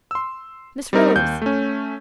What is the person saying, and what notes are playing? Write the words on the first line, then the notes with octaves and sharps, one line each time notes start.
Miss Rose!
C6 E6
G3 C4 D#4 A#4
D#2 G6
A3 C#4